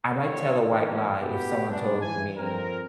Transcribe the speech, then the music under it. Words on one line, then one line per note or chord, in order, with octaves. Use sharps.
I might tell a white lie if someone told me
C2 A2 D3 D#3 C4 C#5
E3 A#3 C#4 D#4
B2 A3 B3 E4 G4
G3 A3 B3 C#4 D4
E3 G#5
F2 A#2 F3 C4 A#4